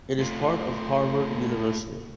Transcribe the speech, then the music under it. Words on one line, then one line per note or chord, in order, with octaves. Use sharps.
It is part of Harvard University.
A3 F4